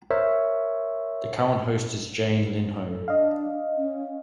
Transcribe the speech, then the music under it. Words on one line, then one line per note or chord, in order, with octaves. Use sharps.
The current host is Jane Lindholm.
A#4 C5 C#5 E5
A4
D4 D#5 F5
C#4